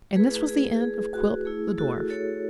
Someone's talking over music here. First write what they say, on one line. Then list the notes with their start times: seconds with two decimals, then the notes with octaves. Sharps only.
And this was the end of Quilp, the dwarf.
0.16 A3 E4 G#4 B4
0.48 G#4
0.81 G#4
1.14 F#4
1.45 A3 E4 G#4
1.78 F#4 A4
2.10 A4 C#5